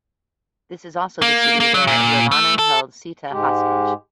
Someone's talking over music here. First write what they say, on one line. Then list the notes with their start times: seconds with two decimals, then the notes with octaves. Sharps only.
This is also the city where Ravana held Sita hostage.
1.22 A#3
1.60 A#3
1.74 F#3
1.87 A#2
2.31 A3
2.59 A4
3.31 G#2 G#3 G4